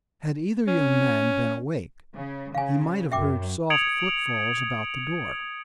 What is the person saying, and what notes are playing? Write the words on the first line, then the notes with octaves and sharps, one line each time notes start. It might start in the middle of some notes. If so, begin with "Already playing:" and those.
Had either young man been awake, he might have heard soft footfalls about the door.
C#4
C#3
C#3 F5 G#5
F#2 E5 G5 D6
D#6 G#6 C#7 D7 F7 F#7